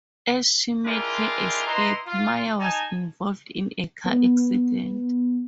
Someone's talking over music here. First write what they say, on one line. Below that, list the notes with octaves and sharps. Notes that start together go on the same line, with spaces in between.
As she made her escape, Maya was involved in a car accident.
G#3 D4 E4 F4 G4 A#4
E4 B4 D#5 A#5 C6
F4
D#4 G#5 A5
B3